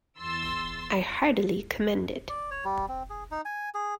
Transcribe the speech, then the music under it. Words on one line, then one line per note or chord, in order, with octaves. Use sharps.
I heartily commend it.
E2 C6 E6 A6
D5
C#5
G3
C4
G#4
D#4
G#5
G#4